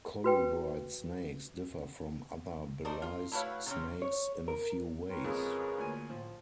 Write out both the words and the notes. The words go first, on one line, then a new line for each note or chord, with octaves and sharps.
Colubrid snakes differ from other Belize snakes in a few ways.
F#4 B4 G5
A3 D#4 A#4 C5 D5
F4
A3 E4 F#4 B4 C#5 F5
C3 D#3 F#3 C4 C#4
C#5
A#4
C4 A#4 B4 C#5
F2 C#3 G#3 G#4
D2 A#2 G#5
A2 F3